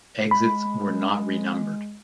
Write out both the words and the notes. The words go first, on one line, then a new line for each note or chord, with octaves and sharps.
Exits were not renumbered.
G#3 B5